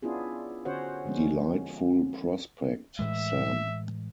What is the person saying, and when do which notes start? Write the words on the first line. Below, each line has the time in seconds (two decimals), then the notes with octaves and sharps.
Delightful prospect, Sam.
0.02 B3 C#4 D4 E4 F4 G#4
0.65 D3 C#4 F#4 C5 C#5 F#5
1.05 D3 F3 G#3 B3 C#4
2.99 A2 E3 G#3 E5